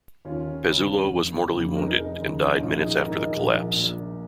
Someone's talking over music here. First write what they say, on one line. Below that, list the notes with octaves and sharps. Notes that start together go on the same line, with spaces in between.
Pezzulo was mortally wounded and died minutes after the collapse.
D#2 C#4 F4
C#3
F1
F2 C#3
A#4
F1 D#4 G#4
D#2 C#3
D#4
A#1 C#4 F4
D#4 G#4
G#2 D#3 A#4 D#5
A#4 D#5
A#1
A#2